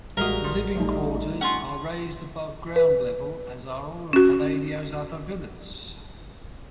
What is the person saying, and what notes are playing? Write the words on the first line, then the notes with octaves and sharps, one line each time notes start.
The living quarters are raised above ground-level, as are all of Palladio's other villas.
A1 G3 G#3 A#3 F#4 A#4 D#5 E5
F3
G3 A3 D#4
C#4 F4 F#5 C#6
B4
C#4 F#4